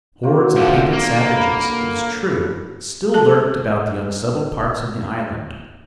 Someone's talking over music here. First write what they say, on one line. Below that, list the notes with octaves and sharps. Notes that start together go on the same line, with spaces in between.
Hordes of painted savages, it is true, still lurked about the unsettled parts of the island.
F#3 A#3 C5
D2 D3 F3
A#3
B4 B5
G#4 A4 A5